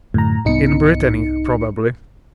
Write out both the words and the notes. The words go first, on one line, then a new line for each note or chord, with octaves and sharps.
"In Brittany, probably."
F#2 A2 D3 A#5
C2 G#2 B3 D#4 C#7